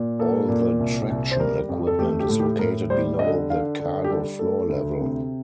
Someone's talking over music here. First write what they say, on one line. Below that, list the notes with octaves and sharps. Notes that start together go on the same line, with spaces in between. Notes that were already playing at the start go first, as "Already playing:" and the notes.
All the traction equipment is located below the cargo floor level.
Already playing: A#2
A#3 A4
A#2
C2
C2
C5
G3 A#4
F2
A4
A3 G4
G4
A2
G4
A2 A#4
G3 C5
D3 D#5
D3 F5
D3
G4
G3 A4
A3 A4
D2
C3